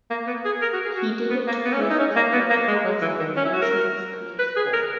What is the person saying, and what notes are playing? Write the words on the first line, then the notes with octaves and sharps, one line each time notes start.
He did it to prove that there were flaws in an emotionless police force.
A#3
B3
G#4
A#4
F#4
G#4
F#4
B3
A#3
B3
C#4
E4
D#4
C#4
A#3
B3
A#3
G#3
F#3
E3
D#3
C#4
E4
F#4
A#4
B4
G#4
A#4